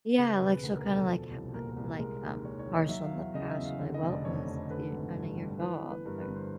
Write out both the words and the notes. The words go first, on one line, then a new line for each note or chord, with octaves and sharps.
Yeah, like, she'll kinda, like ha ha like, um, partial in the past, she'll be like, "Well, mm, skit kinda your fault," or
C#3 B4
E1 B4
D2 A#4
A#4
E1
A4
F3
C2
A#2 A#4
A#4
C2
A#4
G#3 A#4
D#2
D#3 C#5
C#5
D#2
D#5
F#3 E5
F5
E2
E5
C#3 D#5
E5
E2
F5
D3
D#5
F1
D5
F2 C#5
F1
D3 B4
G#1
G2
G3
E3 B4
B4
G1
B4
G2 A#4
B4
G1
C5